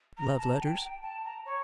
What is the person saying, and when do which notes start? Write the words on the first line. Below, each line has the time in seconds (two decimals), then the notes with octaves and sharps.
"Love letters."
0.17 A#5
0.39 A5
0.61 G5
0.82 G5
1.02 A5
1.24 A#5
1.46 C#5